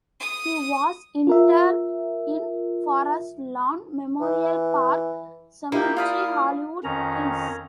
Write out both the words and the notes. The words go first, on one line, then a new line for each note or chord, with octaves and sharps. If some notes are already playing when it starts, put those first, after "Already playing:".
He was interred in Forest Lawn Memorial Park Cemetery, Hollywood Hills.
D#6
F4 A#4 E5
E3
A#3 E4 F4 G4 A#4 D#5
F4 D5 B5 D#6 F6
F2 D#3 C#4 A#5